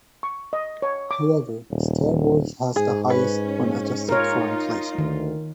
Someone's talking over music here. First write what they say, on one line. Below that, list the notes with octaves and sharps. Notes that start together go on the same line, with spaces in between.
However, "Star Wars" has the highest when adjusted for inflation.
C#6
D#5
C#5
D6
D#1
G#2 G#4
C#4 B4
D#4 F4 A#4 C#5
D2 D#3